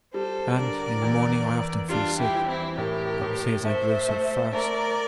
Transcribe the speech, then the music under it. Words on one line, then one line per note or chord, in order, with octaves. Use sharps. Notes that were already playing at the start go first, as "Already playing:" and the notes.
And, in the morning, I often feel sick--papa says I grow so fast.'
G3 A4 C5
D3 A#4 D5
E2
E2
G3 D4 F4
E4 G4
E3
C4 E4
A2 G4 A#4
A2
A3 C5 E5
A3
A3 A#4 D5